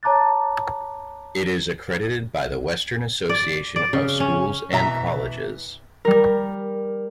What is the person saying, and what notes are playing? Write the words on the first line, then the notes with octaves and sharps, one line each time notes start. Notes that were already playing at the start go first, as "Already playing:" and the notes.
It is accredited by the Western Association of Schools and Colleges.
C#5 A5 A#5 D6 F#6 A6
D5
D5
C#3
C#4
B2 E3 E5 A#5
G3 A#4